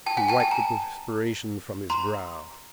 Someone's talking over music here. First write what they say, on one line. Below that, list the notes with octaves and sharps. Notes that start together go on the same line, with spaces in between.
He wiped the perspiration from his brow.
G5 A5
F#5 G#5
G5 A5
G5 A5
G#5 A#5
A#5 C6